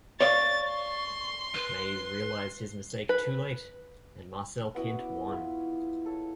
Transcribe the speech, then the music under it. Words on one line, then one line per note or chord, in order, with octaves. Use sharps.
Maes realised his mistake too late and Marcel Kint won.
C#5 D5 F5 C#6 A6
C6
B4
B4
B3 C#4 E4 F#4
D6
E4 F4 G#4
A4 C#5